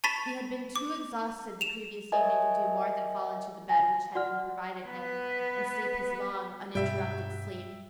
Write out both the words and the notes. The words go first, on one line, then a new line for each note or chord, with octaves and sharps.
He had been too exhausted the previous evening to do more than fall into the bed which had been provided him and sleep his long, uninterrupted sleep.
A5 B5 C#6 A6 B6 E7
D6
E7 F7
A#4 C#5 D#5 E5 G#5 A5
G#5 A#6
F#4 D5 F#5 F6
B3 B4
G2 B2 G3 E5 G5